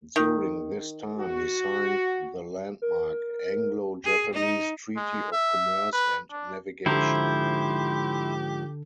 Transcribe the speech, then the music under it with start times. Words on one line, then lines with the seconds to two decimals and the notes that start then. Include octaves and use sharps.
During this time he signed the landmark Anglo-Japanese Treaty of Commerce and Navigation.
0.16 D#3
1.18 F#4
2.82 A#4
4.05 G#4
4.33 D#4
4.97 G#3
5.32 E5
5.93 B4
6.31 D4
6.86 G#2 D3 F3 E4 G4 A4 C5 A#5